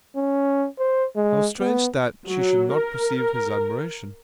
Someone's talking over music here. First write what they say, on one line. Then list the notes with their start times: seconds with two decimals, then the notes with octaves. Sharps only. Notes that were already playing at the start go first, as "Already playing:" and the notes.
How strange that she should not perceive his admiration!
0.16 C#4
0.79 C5
1.16 G#3
1.60 B3
2.28 F#3
2.73 A#4